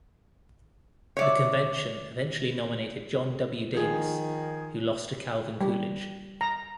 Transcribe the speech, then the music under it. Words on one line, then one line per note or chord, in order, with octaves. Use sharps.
The Convention eventually nominated John W. Davis, who lost to Calvin Coolidge.
C#5 D5 E5
D#3 F3 G#4
G3
A#5